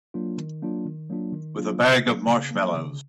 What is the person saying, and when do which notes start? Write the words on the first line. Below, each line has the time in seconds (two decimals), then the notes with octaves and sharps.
With a bag of marshmallows.
0.14 F#3 A#3 D4 F4
0.38 D#3
0.62 F#3 A#3 D4 F4
0.86 D#3
1.10 F#3 A#3 D4 F4
1.33 D#3
1.56 F#3 A#3 D4 F4
1.80 C#3
2.03 F#3 A#3
2.27 C#3
2.51 F#3 A#3
2.74 C#3